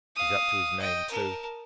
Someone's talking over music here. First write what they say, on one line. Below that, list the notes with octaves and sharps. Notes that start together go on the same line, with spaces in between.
He's up to his name too.
F5 D#6
D#5 G5
A#4 A5